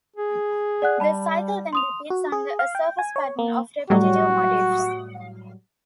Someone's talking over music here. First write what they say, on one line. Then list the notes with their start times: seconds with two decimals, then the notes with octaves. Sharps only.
The cycle then repeats under a surface pattern of repetitive motifs.
0.16 G#4
0.82 D5 F#5 F#6
1.00 G3 A5 B5
1.73 C6 D#6 F7
2.10 F#4
2.32 G#4
2.59 F5
2.75 G5
2.99 G#5
3.16 C#5
3.39 A#3
3.90 A2 F#3 G3 F#4